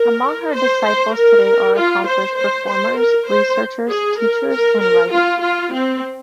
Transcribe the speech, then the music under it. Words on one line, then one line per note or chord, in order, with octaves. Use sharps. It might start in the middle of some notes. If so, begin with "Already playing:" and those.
Among her disciples today are accomplished performers, researchers, teachers and writers.
Already playing: A#4
C5
C5
A#4
F4
C5
C5
C5
A#4
C5
G#4
A#4
A#4
A#4
F4
F4
C4